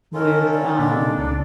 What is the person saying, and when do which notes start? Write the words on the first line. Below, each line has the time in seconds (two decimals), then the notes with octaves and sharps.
with, um
0.14 C#4 D#4 F4 A4 A#4
0.53 D5
0.79 A#2 D4
1.18 C#2 C#3